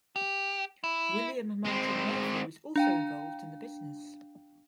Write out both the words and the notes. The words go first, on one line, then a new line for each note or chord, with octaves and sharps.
William Martin Murphy was also involved in the business.
G4
E4
G#3 C4
D4 F5 G5